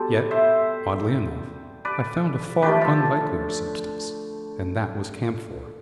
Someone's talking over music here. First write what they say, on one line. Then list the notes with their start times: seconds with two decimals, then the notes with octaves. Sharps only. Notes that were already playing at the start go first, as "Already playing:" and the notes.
Yet, oddly enough, I found a far unlikelier substance, and that was camphor.
Already playing: B2 G3 A4 C5
0.31 C5 E5
1.85 B4 D5
2.62 D3 F3 A3 G4 B4
2.81 F4 A4